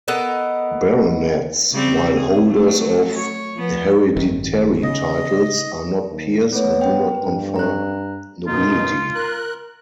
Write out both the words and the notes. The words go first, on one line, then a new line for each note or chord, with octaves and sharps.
Baronets, while holders of hereditary titles, are not peers and do not confer nobility.
B3 A4 A#4 D#5
C#3 G3 C4
G#4
F#3 A3
C#5
F3 B3
G#1 F#2 D#3
C#3 D#5
D#2
A3 B3 C#5
B4 G5
G2
A#5 F#6
F#2 B2 D#4 F4
A#4 F#6